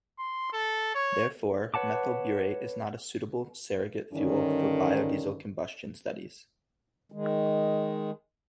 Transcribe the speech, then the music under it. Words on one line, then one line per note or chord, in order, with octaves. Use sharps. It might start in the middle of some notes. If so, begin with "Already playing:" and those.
Therefore, methyl butyrate is not a suitable surrogate fuel for biodiesel combustion studies.
C6
A4
C#5
B4 C#5 F#5 A5 D6
G2 D3 D#3 C#4
D#3 G#3